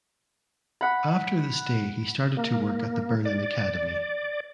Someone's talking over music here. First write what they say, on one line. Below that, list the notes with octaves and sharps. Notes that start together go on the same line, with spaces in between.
After the stay he started to work at the Berlin Akademie.
F#5 B5
A#3
D5